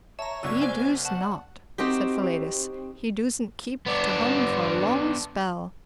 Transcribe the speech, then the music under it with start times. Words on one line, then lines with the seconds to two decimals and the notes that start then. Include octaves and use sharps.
"He doos not," said Philetus;--"he doosn't keep to hum for a long spell."
0.19 C#5 E5 A5 A#5
0.43 F#1 B1 B2 D5 C#6 E6 G#6
0.61 C5 D5 G#5 D7
1.05 F#5 A5 C#6
1.78 C4 D#4 F#4 G4
3.87 B3 D4